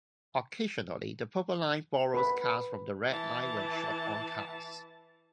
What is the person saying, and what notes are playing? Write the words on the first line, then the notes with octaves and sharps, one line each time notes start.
Occasionally, the Purple Line borrows cars from the Red Line when short on cars.
B4 B5
E3 A5